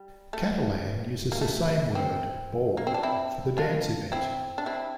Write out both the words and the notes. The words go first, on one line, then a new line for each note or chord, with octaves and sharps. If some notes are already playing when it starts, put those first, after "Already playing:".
Catalan uses the same word, "ball", for the dance event.
Already playing: G3
A3
A#3
A3
C4
A#3
C4
D4
C4 E4
D4 F4
C4 E4
D4
C4 E4